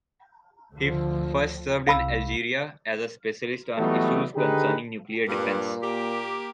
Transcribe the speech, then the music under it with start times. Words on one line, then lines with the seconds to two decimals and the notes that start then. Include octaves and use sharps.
He first served in Algeria as a specialist on issues concerning nuclear defense.
0.75 D2 D3 F3
1.87 C2 F5 B5 E6
3.78 E3 F#3 G3 A3 B3 D#4
4.36 D3 D#3 D#4 G4 G#4 B4
5.28 G2 A#2
5.82 A#3 G4